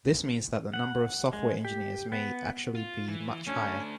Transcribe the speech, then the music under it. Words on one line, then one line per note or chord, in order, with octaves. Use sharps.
This means that the number of software engineers may actually be much higher.
F#5
G#3
G4
B3
F4
E3
A3 C#4 D4